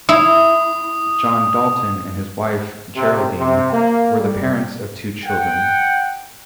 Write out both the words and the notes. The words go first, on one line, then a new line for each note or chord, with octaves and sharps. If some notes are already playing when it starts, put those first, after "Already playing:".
John Dalton and his wife Geraldine were the parents of two children.
E4 D#6
C3
C3
A#3
G3
F#5 G5